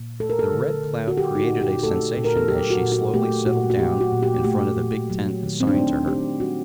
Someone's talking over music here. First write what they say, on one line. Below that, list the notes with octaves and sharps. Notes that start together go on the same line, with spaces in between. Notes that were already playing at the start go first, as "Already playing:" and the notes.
The Red Cloud created a sensation as she slowly settled down in front of the big tent assigned to her.
Already playing: A#2
A3 A4
A#4
A4
D3
D3
F#4
F#3 G4
D#4
F#4
A#2
G4
A3 A4
A#2
A#4
A4
F#3 G4
F#4
A#2
F#4
A3 G4
A#2 F#4
F#4
F#3 G4
F#4
A#2
G4
A3 G4
A#2
F#3
D#3
C4
D4
A3 D#4
D#3 G4
G3 F#4